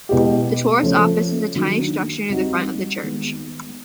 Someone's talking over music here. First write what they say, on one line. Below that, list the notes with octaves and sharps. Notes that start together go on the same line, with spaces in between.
The tourist office is a tiny structure near the front of the church.
B2 G#3 B3 E4 G4
C#3 F3 A3 C#4
D#3 F#3 A#3 D4 F#4
G3 C4 D#4 F#4
D#3 G#3 B3